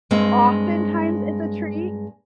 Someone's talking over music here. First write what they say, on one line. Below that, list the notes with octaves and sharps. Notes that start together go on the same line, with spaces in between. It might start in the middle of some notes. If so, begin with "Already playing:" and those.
oftentimes, it's a treat,
G2 G#3 A#3 C4